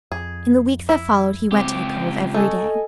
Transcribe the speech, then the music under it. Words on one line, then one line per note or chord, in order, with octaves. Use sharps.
In the week that followed he went to the Cove every day.
F2 G#4
E4
C#2 C4 G4
A3 A4 D#5 G#5